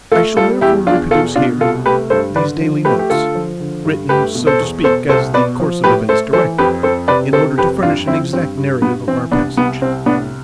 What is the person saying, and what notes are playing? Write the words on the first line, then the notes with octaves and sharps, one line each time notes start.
I shall therefore reproduce here these daily notes, written, so to speak, as the course of events directed, in order to furnish an exact narrative of our passage.
A3 F4 A4
G3 F4 A4
E2 E4 G4
E2 D4 F4
B2 F4 A4
B2 D4 F4
C2 F4 A4
A3 G4 B4
G2 A4 C5
D3 B4 D5
F3
A3 G4 B4
G4
D3 F4 A4
F3
D3
G2
A3 G4 B4
B2
A4 C5
E2
B2 A4 C5
C2 A4 C5
B2 B4 D5
F3
A2 G4 B4
A3 A4 C5
E3 A4 C5
F2 G4 B4
F2 A4 C5
C3 B4 D5
C3 A4 C5
F2 G4 B4
G2 D4 F4
F3 C4 E4
G2 C4
G2
G2 B3
E3 C4
C2 B3 D4
C2 B3
C2 C4
A2 B3 D4